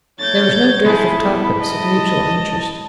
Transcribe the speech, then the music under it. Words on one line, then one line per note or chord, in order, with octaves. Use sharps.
There was no dearth of topics of mutual interest.
A3 C#5 G6 A6
G#3 E4 G#4 A4 B5
B3
D#5 A5